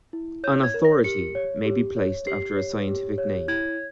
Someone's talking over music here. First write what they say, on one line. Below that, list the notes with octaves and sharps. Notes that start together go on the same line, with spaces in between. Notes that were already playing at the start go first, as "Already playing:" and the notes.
An "authority" may be placed after a scientific name.
E4
C#5 G6
G#6
A#4
A#6
G4 C#7
C#5
G4
C#5
G4 C7
C#5
G4
C#5
E4 G#6